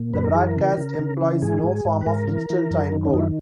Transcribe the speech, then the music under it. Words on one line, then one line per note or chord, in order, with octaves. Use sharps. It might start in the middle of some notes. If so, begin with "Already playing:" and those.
The broadcast employs no form of digital time code.
Already playing: A#2
F#2 B4
A#4
E3 G#4
A#4
C#3
C#3
C#3
E3
G#2 G#4
G#2
G#2
B4
G#2 A#4
E3
E3
F#2
D#3
C#4
F#2 D#4
E4